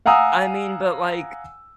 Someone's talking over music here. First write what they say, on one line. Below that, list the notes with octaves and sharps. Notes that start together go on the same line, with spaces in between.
I mean, but like
F5 F#5 G#5 A#5 D#6 E6